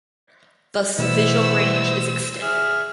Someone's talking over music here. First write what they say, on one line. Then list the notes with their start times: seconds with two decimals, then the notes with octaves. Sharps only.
Thus the visual range is extended.
0.99 B2 E3 A3 B3 E4 C5 E6
2.42 G#4 E5 F6